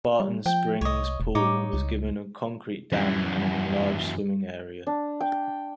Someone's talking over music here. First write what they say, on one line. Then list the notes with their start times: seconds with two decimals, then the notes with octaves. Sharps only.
Barton Springs Pool was given a concrete dam and an enlarged swimming area.
0.20 G3
0.46 F3 G5
0.81 C2 C#5 D#5
1.20 E1
1.35 A2 D#4 C#5 D6
1.73 C#2
2.92 F#2 E3
4.87 D4
5.21 G5